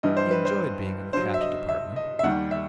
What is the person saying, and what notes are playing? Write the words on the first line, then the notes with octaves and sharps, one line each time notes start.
He enjoyed being in the Cash Department.
G2 E3 G3 D#5
C5
B4
C5
G2 F#3 C5
E5
D#5
E5
D#5
E5
D#2 D#3 G3 F#5
E5